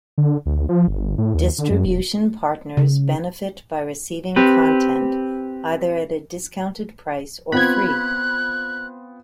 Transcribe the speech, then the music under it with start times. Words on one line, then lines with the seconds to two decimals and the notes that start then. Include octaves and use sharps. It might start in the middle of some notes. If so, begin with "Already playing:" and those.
Distribution partners benefit by receiving content either at a discounted price, or free.
0.18 D3
0.46 D2
0.69 F3
0.88 G1
1.18 A2
1.34 D#2
1.58 D3
1.70 F#2
1.85 E1
2.77 C#3
4.36 C4 G4 B4
7.52 B3 C4 F4 B5 F#6 G#6